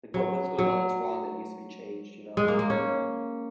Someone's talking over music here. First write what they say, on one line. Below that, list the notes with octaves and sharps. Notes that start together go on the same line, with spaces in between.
Like what what's going on that's wrong that needs to be changed, you know? Um
F#3
F#3
G#3
A#3
A#3
C#4